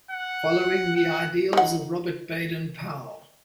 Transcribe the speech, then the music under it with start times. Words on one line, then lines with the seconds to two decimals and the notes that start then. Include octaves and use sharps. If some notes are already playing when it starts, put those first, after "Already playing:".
Following the ideals of Robert Baden-Powell.
0.11 F#5
0.96 F#5
1.53 D#3 F#5